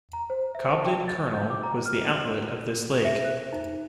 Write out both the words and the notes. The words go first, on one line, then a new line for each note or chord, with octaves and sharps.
Cobden Colonel was the outlet of this lake.
A#5
C5
E5
A5
G5
A6
G6
D6
A#5
F6
F#7
D5
E5
C5
D#4